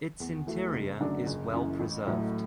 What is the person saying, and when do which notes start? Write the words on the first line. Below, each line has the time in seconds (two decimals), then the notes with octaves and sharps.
Its interior is well preserved.
0.20 E2
0.47 E3 A3 F#4
0.73 F#1
1.00 F#2 D3 F#3 D4
1.26 F#1
1.53 F#2 E3
1.80 A1
2.07 A2 F#3 A3